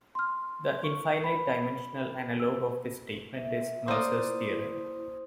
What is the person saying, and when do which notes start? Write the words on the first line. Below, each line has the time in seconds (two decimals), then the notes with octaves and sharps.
The infinite-dimensional analog of this statement is Mercer's theorem.
0.15 C6 F6
0.84 C#6
1.22 A#4 B5
2.40 E6
3.38 E5
3.88 A#3 E4 C5 D5 D#6